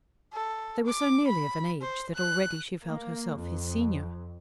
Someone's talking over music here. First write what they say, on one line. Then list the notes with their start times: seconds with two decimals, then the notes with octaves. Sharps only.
They were so nearly of an age that already she felt herself his senior.
0.33 A4
0.87 D6
1.28 B5
1.81 C5
2.15 F#6
2.86 A#3
3.35 F2